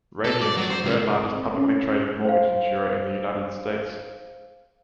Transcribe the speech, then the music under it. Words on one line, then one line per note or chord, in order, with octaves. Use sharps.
Radian is the third-largest publicly traded mortgage insurer in the United States.
A4
D5
F#3
C5
C#2
C4
C#4
C5 F5